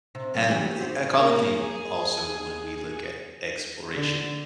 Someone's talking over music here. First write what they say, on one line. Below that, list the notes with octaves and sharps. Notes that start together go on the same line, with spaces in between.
and, eh, a common theme also when we look at exploration
C3
F#3 A3 A#3
E3 F#3 G4
B3
C4 F#4 G4
A#3
G#4
D3